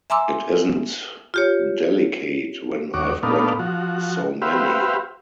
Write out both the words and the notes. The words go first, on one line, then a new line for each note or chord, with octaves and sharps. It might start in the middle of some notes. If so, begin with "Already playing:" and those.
It isn’t delicate when I’ve got so many.
E5 G#5 A#5 C6 D6 E6
F4 G4 C#5
D#2 F#4 C#5 D6
A#2 A3 B3 D4 D#4 F5
F3 F#4
F#4 G4 B4 C5 E5 F5